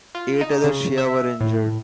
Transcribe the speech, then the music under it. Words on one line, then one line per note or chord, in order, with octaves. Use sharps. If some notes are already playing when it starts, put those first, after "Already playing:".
Eight other Shia were injured.
F4
D#4
C#3
E5
A2